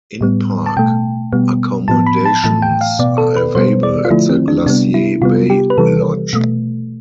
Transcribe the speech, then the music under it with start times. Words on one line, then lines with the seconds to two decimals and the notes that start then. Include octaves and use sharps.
In-park accommodations are available at the Glacier Bay Lodge.
0.21 A2 G3 B3
0.66 A5
0.77 B2 A3 G5
1.33 B2 G3 B3
1.88 A2 F3 B3 A5
2.06 B5
2.25 A5
2.44 A2 E3 A3 A5
2.62 G5
2.81 F5
2.99 B2 B3 D5
3.18 A4
3.36 B4
3.55 B2 G3 B3 C5
3.83 D5
4.05 F4
4.11 D3 F3 A3 E4
4.29 C4
4.48 D4
4.66 C3 G3 B3 D4
4.94 E4
5.22 C3 G3 B3 F4
5.50 G4
5.70 B4
5.78 C3 E3 G3 A4
6.33 B2 A3